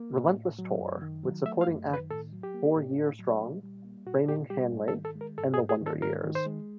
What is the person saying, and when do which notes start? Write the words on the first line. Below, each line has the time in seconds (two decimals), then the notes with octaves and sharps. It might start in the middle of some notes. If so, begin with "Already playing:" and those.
Relentless Tour, with supporting acts Four Year Strong, Framing Hanley, and The Wonder Years.
Already playing: A#3
0.15 A2
0.37 A2
0.59 F#3
0.80 F#2
1.02 D#3
1.23 F#3
1.46 A3 E5
1.61 F5
1.68 F#2
1.89 D#3 B4
2.10 A2 A4
2.32 F#3
2.43 G4
2.54 A#3
2.76 A2
2.97 A2
3.19 F#3
3.41 A#2
3.63 G3
3.85 A#3
4.06 A#2 F#4
4.28 A#2 G4
4.50 G3 G4
4.72 G#2
4.88 A4
4.93 D#3
5.05 A4
5.15 G#3
5.21 A#4
5.38 G#2 A4
5.54 G#4
5.59 G#2
5.69 G#4
5.81 D#3
5.86 A4
6.02 G#2 A#4
6.24 D#3
6.35 C5
6.46 G#3